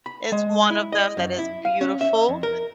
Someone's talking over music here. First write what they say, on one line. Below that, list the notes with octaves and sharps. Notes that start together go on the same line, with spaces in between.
is one of them that is beautiful,
B5
G#3
E4
D#5
F#2
E4
F5
C#4
E5
F2
A#4